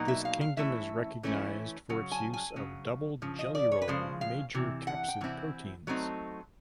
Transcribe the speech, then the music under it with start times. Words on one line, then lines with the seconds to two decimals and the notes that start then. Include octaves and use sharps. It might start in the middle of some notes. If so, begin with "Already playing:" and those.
This kingdom is recognized for its use of double jelly roll major capsid proteins.
Already playing: B2 F#3 A#3 D#4
0.08 E5
0.25 F5
0.41 F5
0.57 E3 A3 C#4 E4 E5
1.23 E3 A3 C#4 E4
1.89 C#3 F#3
2.12 G#5
2.34 G#5
2.56 C#3 F#3
3.22 C#3 F3
3.39 D#5
3.55 D5
3.72 C#5
3.82 B4
3.88 C#3 F3 G#3 C5
4.21 F5
4.54 C3 E3
4.87 F#5
5.08 G5
5.21 C3 E3 C4 E4
5.87 F#3 A3 C4 D#4